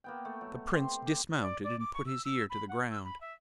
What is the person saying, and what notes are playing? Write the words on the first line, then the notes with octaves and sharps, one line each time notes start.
The Prince dismounted and put his ear to the ground.
A#3 B3 G5
A3
F#3
C4 G4 C6
G4
D5
D5
D6
C#6
E6
E6
B5
F#5
E6
B5
E5